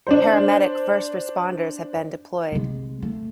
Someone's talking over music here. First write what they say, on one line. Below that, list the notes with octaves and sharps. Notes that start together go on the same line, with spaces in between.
The paramedic first responders have been deployed.
D4 C5
C3 G#3
A3